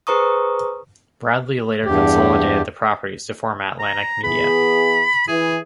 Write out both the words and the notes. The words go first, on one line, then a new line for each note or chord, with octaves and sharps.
Bradley later consolidated the properties to form Atlantic Media.
G#4 B4 C5 A#5 C#6 D#6
E2 G2 G4
A#5
E3 B3 G#4 B5
E3 G#4